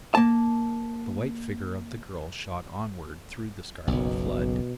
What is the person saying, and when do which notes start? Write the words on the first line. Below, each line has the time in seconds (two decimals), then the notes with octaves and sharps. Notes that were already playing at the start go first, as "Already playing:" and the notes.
The white figure of the girl shot onward through the scarlet flood.
0.15 A#3 A5
3.87 F#1 B1 B2